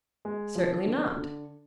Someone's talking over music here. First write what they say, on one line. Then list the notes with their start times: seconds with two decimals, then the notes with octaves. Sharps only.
Certainly not.
0.25 G#3
0.55 F3
0.86 D3
1.16 D3